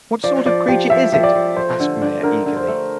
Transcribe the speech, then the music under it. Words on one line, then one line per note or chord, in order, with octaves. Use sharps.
'What sort of creature is it?' asked Maia eagerly.
F3 D5
F3 D5
F3 G4
F3 E5
F3 E5
D5
F3
A3 C5
D3
D4
D3 A#4
D3
C5
A3